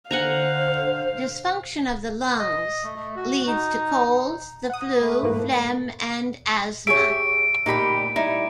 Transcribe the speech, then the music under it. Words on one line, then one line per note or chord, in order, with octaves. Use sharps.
Dysfunction of the Lungs leads to colds, the flu, phlegm, and asthma.
D3 C5 F5 F#5 G#5 A#5
D#5
A3
A3
F#4
D#4
F#5 D#6
A3 B4
G#2 E3 A#3
G4 G#4 C#5 E5 D7
D2 A#2 D#4 G4 B5
G3 D#4 E4